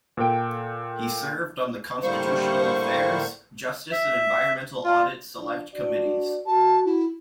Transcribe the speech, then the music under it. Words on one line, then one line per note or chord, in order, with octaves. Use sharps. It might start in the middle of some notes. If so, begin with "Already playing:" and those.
He served on the Constitutional Affairs, Justice and Environmental Audit Select Committees.
A#2 A4 A#4 G5 D7
A2 D3 G3 A#3 C5 C#6
E5
F4
F3 D4
D4 F#4 D5
F#4 A5
E4